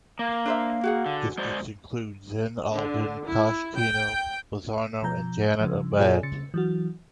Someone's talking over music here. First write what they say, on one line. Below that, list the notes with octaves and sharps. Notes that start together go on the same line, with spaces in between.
Districts include Zeyn Aldin, Koshkeno, Bazarno, and Janat abad.
A#3 F5
D4 C5 E5
F#4 G#4 F#5
D3
G#3 C5 D5
D3
E4
G5
B2 F3 A#5 G6
C#3 F3
A#2 F4 G#4 C#5 D5 G#5
C#3 A6 C#7
E3 F#3 F#4